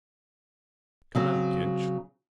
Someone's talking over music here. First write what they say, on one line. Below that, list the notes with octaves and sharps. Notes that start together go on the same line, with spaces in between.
Come out, Kinch.
C#3 F#3 C4